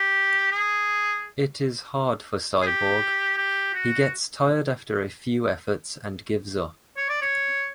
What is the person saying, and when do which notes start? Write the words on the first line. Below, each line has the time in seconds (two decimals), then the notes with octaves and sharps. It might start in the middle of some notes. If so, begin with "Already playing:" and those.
It is hard for Cyborg, he gets tired after a few efforts and gives up.
Already playing: G4
0.51 G#4
2.62 G#4
2.66 G4
3.37 G4
3.74 F#4
6.97 C#5
7.09 D5
7.21 C#5